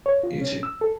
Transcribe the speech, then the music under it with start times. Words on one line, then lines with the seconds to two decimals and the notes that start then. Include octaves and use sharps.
You too.
0.06 C#5
0.23 F4
0.41 C#4
0.63 E6
0.81 A4